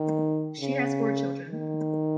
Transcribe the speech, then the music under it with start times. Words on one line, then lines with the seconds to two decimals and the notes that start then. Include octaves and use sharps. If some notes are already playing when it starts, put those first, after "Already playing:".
She has four children.
Already playing: D#3
0.60 C#3
1.49 D#3